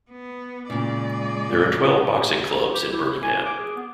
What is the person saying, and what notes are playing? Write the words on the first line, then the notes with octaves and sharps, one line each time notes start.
There are twelve boxing clubs in Birmingham.
B3
A#2 C#3 G#3 D5
G4
E4
G#5
D6
G#4
B3